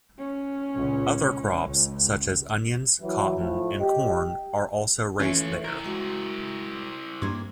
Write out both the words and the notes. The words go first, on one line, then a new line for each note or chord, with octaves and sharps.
Other crops such as onions, cotton, and corn are also raised there.
C#4
C#2 A#2
C#2
E3 F#3
A2 F3
G4 D#5
E3 A3 C#4 F4 C#5
E4 A#4
G#3 F#4
G2 A#3 C4 C6 G#6